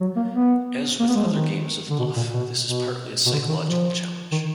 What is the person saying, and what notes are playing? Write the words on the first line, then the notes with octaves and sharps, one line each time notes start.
As with other games of bluff, this is partly a psychological challenge.
F#3
A#3
B3
A#3
B3
G#3
F3
D#3
D3
B2
A#2
B2
B2
B2
D3
D#3
F3
D#3